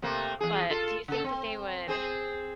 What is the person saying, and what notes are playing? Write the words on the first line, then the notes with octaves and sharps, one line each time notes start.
But do you think that they would
C3 A3 A#3
E2 G#4
F4 A4
C#3 A4
C4
C4 G#4 C5